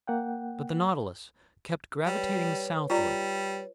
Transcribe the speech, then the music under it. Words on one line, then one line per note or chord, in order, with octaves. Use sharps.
But the Nautilus kept gravitating southward.
A#3 F#5 G5
G3 B4 C#5
G3 F4 D5 A#5